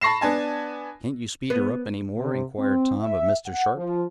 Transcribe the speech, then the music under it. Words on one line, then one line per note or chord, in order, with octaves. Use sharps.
"Can't you speed her up any more?" inquired Tom of Mr. Sharp.
A5 B5 C#6 A#6 C7 E7
B3 D4 G#5 A5
B3
C3
C4
E5
F#5
F3